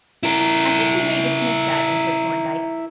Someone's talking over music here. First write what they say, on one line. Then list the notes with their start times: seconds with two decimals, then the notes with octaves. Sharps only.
"I think we may dismiss that," answered Thorndyke.
0.23 E4 A#4